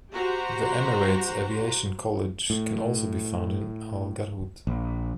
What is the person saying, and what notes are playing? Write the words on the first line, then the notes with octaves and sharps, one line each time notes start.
The Emirates Aviation College can also be found in Al Garhoud.
F#4 G4 C5 A#5
A2
A#1